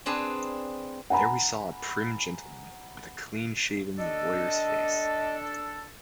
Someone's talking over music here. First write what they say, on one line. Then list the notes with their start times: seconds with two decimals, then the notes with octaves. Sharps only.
There we saw a prim gentleman, with a clean-shaven, lawyer’s face.
0.06 C4 D4 G#4 B4
1.10 F#5 G#5 A#5 B5
3.99 D4 A4 D#5